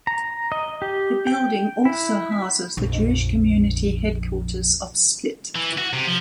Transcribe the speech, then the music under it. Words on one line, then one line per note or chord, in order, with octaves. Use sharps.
The building also houses the Jewish community headquarters of Split.
A#5
D#5
G4
G5
E4
A#1 F2
E3
F#4
C3
F3